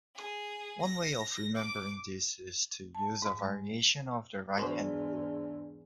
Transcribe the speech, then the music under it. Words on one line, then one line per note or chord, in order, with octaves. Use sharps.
One way of remembering this is to use a variation of the right-hand rule.
G#4
A#6
D6
A5
G#2
G#3
E2 G#2 D4 F#4 B4 C5